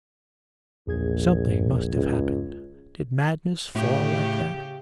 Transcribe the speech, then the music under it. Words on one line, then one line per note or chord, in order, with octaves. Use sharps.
Something must have happened. Did madness fall like that?
A#1 E2 G#4 G#6
C#2
A2 C#3 A3 G4